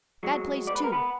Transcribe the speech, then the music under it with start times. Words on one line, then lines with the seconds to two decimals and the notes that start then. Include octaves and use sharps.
Bad place, too.
0.23 F#3 G#3 F#4
0.67 B3 D5
0.75 B4
0.84 A#4
0.92 B3 B4